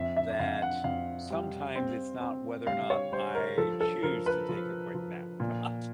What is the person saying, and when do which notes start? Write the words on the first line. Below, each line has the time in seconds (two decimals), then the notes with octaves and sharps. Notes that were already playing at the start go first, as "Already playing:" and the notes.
that sometimes it's not whether or not I choose to take a quick nap or not,
Already playing: F2 E5
0.16 E5
0.31 E5
0.39 F2 F5
0.62 F#5
0.84 F2 F5
1.30 G3
1.75 C4
2.21 C4
2.67 G3 F5
2.90 C#5
3.12 G3 C5
3.35 A#4
3.58 F3 A4
3.81 A4
4.03 F3 A#4
4.26 B4
4.49 F3
4.95 F3
5.40 A#2